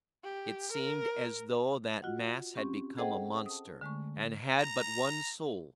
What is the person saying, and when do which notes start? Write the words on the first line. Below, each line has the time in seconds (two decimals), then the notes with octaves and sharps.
It seemed as though that mass had become a monster and had but one soul.
0.23 G4
0.72 A#4
2.02 F4 F#4 D#5 F#5
2.55 C4 C#4 G4
2.97 G#4 A4 C5 D#5 F#5 G5
3.46 A5 D#6
3.81 D3 G#3 A3 C#6
4.59 A#5